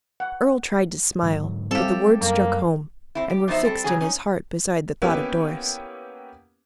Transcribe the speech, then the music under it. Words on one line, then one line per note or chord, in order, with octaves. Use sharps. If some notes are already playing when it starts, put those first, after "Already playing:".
Earle tried to smile, but the words struck home, and were fixed in his heart beside the thought of Doris.
F#5
G#2 D3 F#3
G3 C4 E4 G4 A4 F5
F#2 G3 A#3
C4 E4
G4
B2 F3 D#4 C5 E5
G3 C4 A4
C#3 F#3 C#4 F#4 G#4
C#4 D#4
A#3 B3 C#4 E4 G4 B4